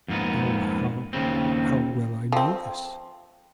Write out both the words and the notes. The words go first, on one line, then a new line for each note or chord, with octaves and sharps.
Oh, how well I know this!
F2 G#2 A#3 B3
D#2 A#2 C#3 C4
F3 C4